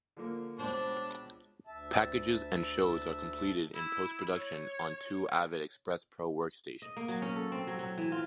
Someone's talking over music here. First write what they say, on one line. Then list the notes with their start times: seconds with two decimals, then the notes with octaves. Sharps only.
Packages and shows are completed in post-production on two Avid Xpress Pro workstations.
0.17 D3 F3 A#3
0.59 C#2 B2 D4 C5
1.67 D2 E5 A5
3.73 E4
4.36 C#5
6.82 D#5
6.97 A#3
7.08 F#3
7.22 C#4
7.36 A4
7.52 C4
7.67 F#3
7.79 F#3
7.98 E3
8.12 F4